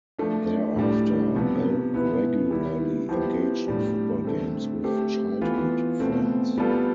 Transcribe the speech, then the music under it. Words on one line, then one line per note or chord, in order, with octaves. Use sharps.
Thereafter, Bell regularly engaged in football games with childhood friends.
F3 A3 D4
A2 G3 D4
C3 F3 B3
B2 B3 E4 B4
G3 B3 E4
F3 B3 E4 G4 C5
A2 G3 D4
D3 A3 C4
A3 C4 G4 C5
E3 B3 F4 B4
B2 A3 C4
G3 B3 F4 A4